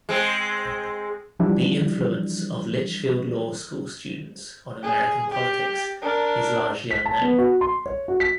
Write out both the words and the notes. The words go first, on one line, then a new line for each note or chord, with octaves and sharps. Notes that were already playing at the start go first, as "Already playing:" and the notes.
The influence of Litchfield Law School students on American politics is largely unknown.
G#3 C4
E3 F3 G3 D4 E4
G#4
G4
D4 A#4
B6
A5
B3
F#4
C6
C#5
F#4
B6